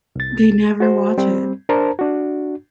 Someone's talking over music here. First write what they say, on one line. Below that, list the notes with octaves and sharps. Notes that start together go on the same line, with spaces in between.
They never watch it.
C2 A6
F#4 C5
G3 C4
D4 A#4 C5 A5 A#5
D4 F#4